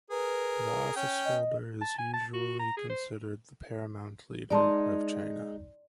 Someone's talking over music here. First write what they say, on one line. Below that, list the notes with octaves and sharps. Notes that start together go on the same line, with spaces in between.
The officeholder is usually considered the paramount leader of China.
G#4 A#4 B4
C#4 G5
D#5
A5
G#5
A5
F#4
A#5
G#4
C5
G#3 D#4 D5 A5 C6